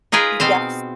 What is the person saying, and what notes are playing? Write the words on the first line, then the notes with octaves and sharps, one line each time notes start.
Y yes.
D#4 F4 G#4 A#4 B4
B2 C4 C5 F5